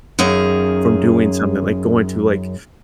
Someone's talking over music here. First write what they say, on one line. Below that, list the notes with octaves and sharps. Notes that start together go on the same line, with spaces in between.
from doing something, like going to, like,
F#2 D#3 G#4 F5